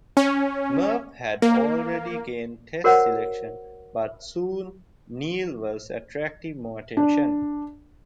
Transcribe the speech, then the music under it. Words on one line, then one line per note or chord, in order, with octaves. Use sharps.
Merv had already gained Test selection, but soon Neil was attracting more attention.
C#4
A#3
F#4 A#4 C5 C#5 F#5
D4